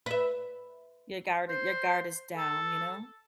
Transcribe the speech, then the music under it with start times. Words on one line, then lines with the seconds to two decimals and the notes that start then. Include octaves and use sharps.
Your guarded Your guard is down, you know?
0.06 B4 E5
1.48 C5
2.37 A4